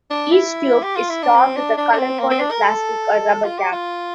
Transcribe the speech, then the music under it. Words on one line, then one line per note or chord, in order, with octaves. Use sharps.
Each tube is topped with a color-coded plastic or rubber cap.
D4
E4
G4
F4
E4
D4
C4
D4
D4
D4
C4
A#3
C4
D4
A#4
A4
F4
G4
F4